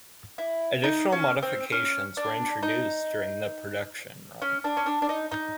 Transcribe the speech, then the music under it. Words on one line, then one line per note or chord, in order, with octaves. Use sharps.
Additional modifications were introduced during the production run.
E4
D#4
C#4
C4
C#4
D4
D#4
C#4
D4
C#4
D4
D4
D#4
D#4